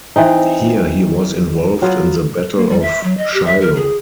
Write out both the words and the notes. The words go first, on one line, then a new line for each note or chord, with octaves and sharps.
Here he was involved in the battle of Shiloh.
E3 C4 D#4
F#3 B3 F4
A#3
G3
E5
F#3
D#5
G4
E5
A#4
G#4